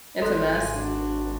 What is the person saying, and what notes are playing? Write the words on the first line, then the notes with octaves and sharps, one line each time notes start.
It's a mess.
G#1 A4 C6 F#6
C#3 G#5
D4 F#4